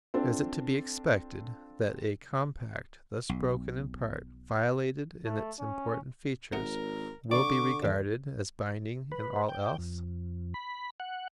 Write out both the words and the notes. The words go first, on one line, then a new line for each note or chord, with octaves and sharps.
Is it to be expected that a compact thus broken in part, violated in its important features, will be regarded as binding in all else?
C4 D4 F4 A4
B1
A3
C#4
G#1 C3 A#4 F#5 D#6
D3 D5 F5 C#6 D6
D#2 D5
B4
G5
F2
B5
F#5